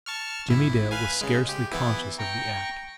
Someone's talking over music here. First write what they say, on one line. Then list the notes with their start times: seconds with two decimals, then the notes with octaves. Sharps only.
Jimmie Dale was scarcely conscious of the act.
0.06 A5 C#6 F6
0.48 G#1 E4
0.91 B4 F5 G#5
1.21 C#3 G#3
1.49 G4
1.72 E3 B3 E4
2.19 G5 A#5 C#6